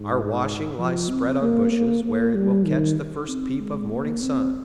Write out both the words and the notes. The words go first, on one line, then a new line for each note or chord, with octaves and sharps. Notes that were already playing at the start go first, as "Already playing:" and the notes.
Our washing lies spread on bushes, where it will catch the first peep of morning sun.
Already playing: G#2
F3
C4
A#3
A#3
A#3
G3
D#3
C4
G#3
A#3
C4